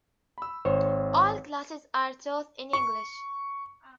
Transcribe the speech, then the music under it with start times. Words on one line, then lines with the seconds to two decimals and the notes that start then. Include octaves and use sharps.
All classes are taught in English.
0.38 B5 E6
0.65 G#1 C5 C#5
2.73 C#6